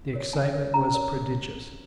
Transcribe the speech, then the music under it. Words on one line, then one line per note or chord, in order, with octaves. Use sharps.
The excitement was prodigious.
A#4 C#5
C#4 G#5
A#4 C#5
C#4 A#5
A#4 C#5